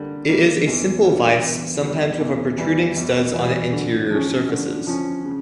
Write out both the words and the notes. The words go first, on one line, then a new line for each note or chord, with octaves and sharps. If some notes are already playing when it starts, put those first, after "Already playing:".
It is a simple vice, sometimes with protruding studs on the interior surfaces.
Already playing: D3 G3 A#3
G3 A#3
E2
D3 G3
E2
D3 G3
E2
E3 G3
E2
E3 G3
D3
F3 C#4
D3
F3 C#4
C#3